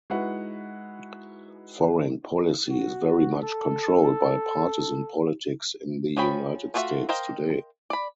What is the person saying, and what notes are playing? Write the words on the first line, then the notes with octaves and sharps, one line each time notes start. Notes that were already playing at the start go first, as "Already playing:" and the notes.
Foreign policy is very much controlled by partisan politics in the United States today.
G#3 D#4 E4 F#4 B4 F#5
F#4
A4
F3 G#4 C#5 G5 B5
A3 F4 F#4 G#4 E5
A#4 C5 D#5 F5 G5
D5 B5